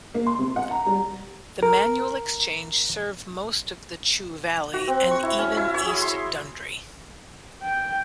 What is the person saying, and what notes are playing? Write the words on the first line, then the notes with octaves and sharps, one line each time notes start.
The manual exchange served most of the Chew valley and even East Dundry.
A#3
C6
C3
F#5
A#5
G3
A#4
F#4
C4
C#6
E4
C#4
E4
C#5
G#4
C6
G5